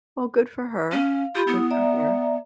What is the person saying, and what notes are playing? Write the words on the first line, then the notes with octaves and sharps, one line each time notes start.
Well, good for her. Good for her.
C#4 F5
F4 G4 B5
B3 E4 D#6
D5 E5 A#5